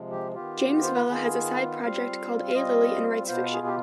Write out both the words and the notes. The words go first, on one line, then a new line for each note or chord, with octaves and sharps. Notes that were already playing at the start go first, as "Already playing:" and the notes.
James Vella has a side project called A Lily and writes fiction.
Already playing: C3 F3 G#3
G4
D#3 B3 F4 G4
C5
B4
D#3 B3 F4 G#4
G3 C4 F4 F5
F5
G3 C4 F4 D#5
B2 B3 F4 C5
G#4
G4